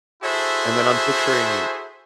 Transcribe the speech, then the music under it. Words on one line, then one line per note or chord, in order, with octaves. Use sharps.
And then I'm picturing
E4 F#4 G#4 A4 C5 E5